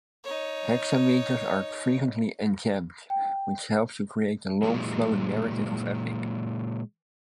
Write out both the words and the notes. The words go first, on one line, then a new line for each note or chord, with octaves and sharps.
Hexameters are frequently enjambed, which helps to create the long, flowing narrative of epic.
D#4 C#5
G5
A#2 E3 F#3 G#3